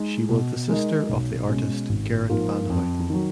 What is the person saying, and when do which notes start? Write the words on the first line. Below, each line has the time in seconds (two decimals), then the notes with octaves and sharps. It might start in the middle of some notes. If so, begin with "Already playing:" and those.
She was the sister of the artist Gerrit van Houten.
Already playing: G#3 D#4
0.29 B2
0.69 G#3 D#4 A#4 D#5
1.09 B1
1.49 B2 G#3 C#4
1.89 G#1
2.29 G#2 F3 A#3 F4
2.70 F2
3.10 D#3 F#3